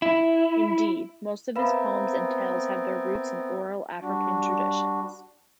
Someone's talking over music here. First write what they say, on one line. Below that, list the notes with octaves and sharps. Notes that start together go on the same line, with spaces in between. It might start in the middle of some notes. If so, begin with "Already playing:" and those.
Indeed, most of his poems and tales have their roots in oral African traditions.
E4
B3 C4 A#4 B4 E5 F5 A#5 B5
G3 D4 F#4